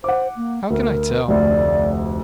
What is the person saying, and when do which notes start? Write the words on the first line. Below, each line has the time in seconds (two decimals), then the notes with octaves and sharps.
How can I tell?
0.04 C5 F#5 D6
0.36 A#3
0.70 D2 A#4
1.28 F1 D2 D5